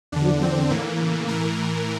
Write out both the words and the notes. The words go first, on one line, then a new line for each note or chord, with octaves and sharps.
Through him all things were made.
E2 D3 D4
C4
A2 E3 A#3
A2 E3 A#4